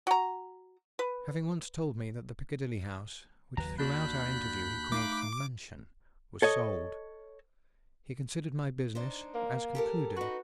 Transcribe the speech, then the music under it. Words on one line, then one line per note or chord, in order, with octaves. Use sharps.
Having once told me that the Piccadilly house--which throughout our interview he called a "mansion"--was sold, he considered my business as concluded.
F#4 A#5
B4
F#1 D#2 F#3 B4 A#5
D#2 A#3 D4 F#4 B5 F#6 G6
A3 D#4 F5 D6
A4 C#5 D#5
D4 D#4 C5
A#3
G4 A4 A#4
D#4 F#4 B4